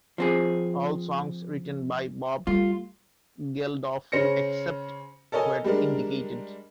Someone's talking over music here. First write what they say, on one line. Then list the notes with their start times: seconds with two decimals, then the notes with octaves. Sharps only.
All songs written by Bob Geldof except where indicated.
0.18 F3 C4 G#4
2.47 G3 A3 F4
4.12 C#3 C#4 C5 A#6 C#7
5.32 A4 A#4 C#5 D#5 G#5
5.64 G3 G#3 D4 A#4